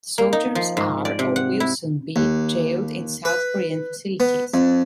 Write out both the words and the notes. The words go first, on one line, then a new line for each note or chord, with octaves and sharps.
The soldiers are, or will soon be, jailed in South Korean facilities.
A#3
D#4
F3
G#2
D5
C3
F#5
E4
D#2
B4
B3
F2